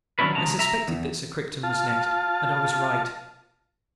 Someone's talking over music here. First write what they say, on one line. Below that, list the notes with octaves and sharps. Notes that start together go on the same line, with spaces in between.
I suspected that Sir Crichton was next, and I was right.
D#3 F#3 C#4 D4 E4 B4
C#2 C3 D#3 A5 A#5
E5 A#5
E2
F4 A5